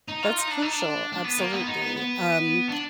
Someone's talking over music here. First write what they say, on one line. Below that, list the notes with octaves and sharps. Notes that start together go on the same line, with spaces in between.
that's crucial, absolutely, um,
D#4
F4
D#4
D4
D#4
D4
D4
B3
A#3
B3
D#4
B3
B3
D4